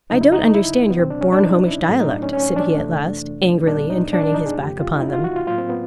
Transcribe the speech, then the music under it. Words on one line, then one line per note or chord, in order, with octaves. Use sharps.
"I don't understand your Bornholmish dialect," said he at last, angrily, and turning his back upon them.
D2 C#3 F#3 D#4
E4
D#4
E4
B3
C#2 B2 F#3 C4
D4
C#4
D4
D#4
E4
A2 F#3 A3
D#4
D4
C#4
C#4
D4
F2 C3 E3 A3
C2 A#2 G3 B3 D4
D#4
D4
D4
D#4
G#4
F2 C#3 F3 A3 G4
F4
D#4
E4
F#4
F4
F#4
F4
A2 F#3 A#3 F4
C4
B3